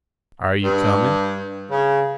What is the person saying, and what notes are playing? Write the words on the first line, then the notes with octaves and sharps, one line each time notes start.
"Are you coming?"
G2
C#3